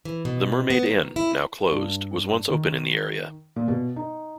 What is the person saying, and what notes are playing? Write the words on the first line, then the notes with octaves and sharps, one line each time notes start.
The Mermaid Inn, now closed, was once open in the area.
E3
B2
B3
D#3
E4
G2
D#3
A#2
B2
D#4